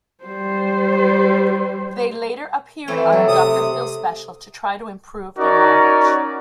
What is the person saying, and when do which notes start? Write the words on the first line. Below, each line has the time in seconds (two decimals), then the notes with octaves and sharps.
They later appeared on a Doctor Phil special to try to improve their marriage.
0.24 G3 C5
2.88 E3 A3 C4
3.12 F#3 A4
3.28 C3 D#6
5.37 C#4 D#4 F#4 A#4 D5